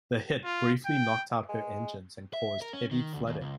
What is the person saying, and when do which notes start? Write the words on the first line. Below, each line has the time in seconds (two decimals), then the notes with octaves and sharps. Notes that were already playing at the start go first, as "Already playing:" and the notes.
The hit briefly knocked out her engines and caused heavy flooding.
0.45 F4
0.85 G5
1.49 G#3
2.33 E5
2.62 A#4
2.73 C#4
2.91 D#3
3.13 D2
3.27 D#2
3.41 C#2